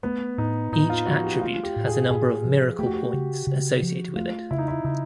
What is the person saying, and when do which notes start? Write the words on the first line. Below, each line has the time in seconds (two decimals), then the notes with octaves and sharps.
Each attribute has a number of Miracle Points associated with it.
0.03 A3 B3
0.38 A2 D#4
0.72 A2 D#4
0.90 F4
1.07 F3 F#4
1.24 G4
1.41 A3 F4
1.63 G4
1.76 A2
1.87 G#4
2.10 A2 G#4
2.45 F3
2.79 A3 G4
2.86 F#4
2.94 G4
3.13 C#3
3.47 C#3
3.82 F3
4.16 A3 F4
4.51 C#3 E4
4.58 D#4
4.68 E4
4.84 C#3 D#4